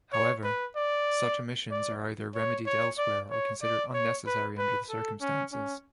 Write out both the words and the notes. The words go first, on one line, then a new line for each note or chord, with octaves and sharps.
However, such omissions are either remedied elsewhere or considered unnecessary under the circumstances.
C#5
B4
D5
D5
C#5
C#5
D5
C#5
D5
C#5
B4
B4
A4
C#4
C#4